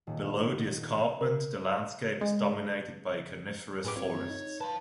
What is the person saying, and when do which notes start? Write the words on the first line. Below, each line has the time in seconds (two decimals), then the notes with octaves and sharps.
Below the escarpment the landscape is dominated by coniferous forests.
0.07 D#1
1.21 A#4
2.21 G#3
3.85 A2 G4 G#4 B4 D6
3.96 G2 C4 F4 C#5
4.30 D#4
4.61 B4 F5 A5